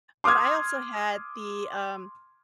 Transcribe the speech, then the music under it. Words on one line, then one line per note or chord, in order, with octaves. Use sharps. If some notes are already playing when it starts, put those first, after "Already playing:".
but I also had the, um
C6 D6 D#6 F6 G#6